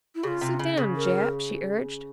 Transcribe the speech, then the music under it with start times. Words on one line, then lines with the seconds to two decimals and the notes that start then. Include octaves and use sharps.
"Sit down, Jap," she urged.
0.15 E4
0.23 C#3 G4
0.28 F4
0.41 C3
0.59 C#3
0.77 C#3
0.96 A#4